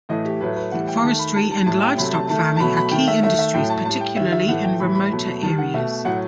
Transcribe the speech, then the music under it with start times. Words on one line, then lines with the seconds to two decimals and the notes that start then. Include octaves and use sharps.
Forestry and livestock farming are key industries, particularly in remoter areas.
0.09 A2 E3 A3 D#5
0.25 G4
0.41 A2 F#3 A3 B4
0.56 B4
0.72 A2 E3 G3 F#5
0.88 G5
1.04 D#3 A3 A5
1.19 B5
1.35 D#3 G3 A5
1.51 A5
1.66 A2 G3 A5
1.82 G5
1.97 C3 F#3 A3 B5
2.13 A5
2.29 D#3 A3 A5
2.56 A5
2.60 B2 F#3 A3 B5
2.77 B5
2.91 D#3 A3 G5
3.08 E5
3.23 D#3 A3 E5
3.39 E5
3.54 A2 F#3 A3 G5
3.70 A5
3.85 A2 G3 A5
4.01 G5
4.17 D#3 G3 E5
4.32 E5
4.48 A2 E3 A3 F#5
4.64 G5
4.79 A2 E3 G3 B5
4.95 B5
5.11 B2 F#3 A3
5.42 D#3 G3 A5
5.58 F#5
5.74 B2 A3 E5
6.05 A2 F#3 A3 F#5